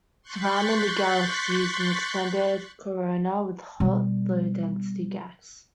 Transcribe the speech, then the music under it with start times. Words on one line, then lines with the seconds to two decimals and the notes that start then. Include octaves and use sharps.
Surrounding the galaxy is an extended corona with hot, low density gas.
0.22 C6 C#6 F#6 G6 A6 B6
3.80 B2 G3